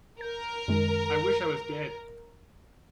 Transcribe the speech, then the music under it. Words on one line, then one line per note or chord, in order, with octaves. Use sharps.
I wish I was dead!
A#4 G6
F#2 D#3 G#3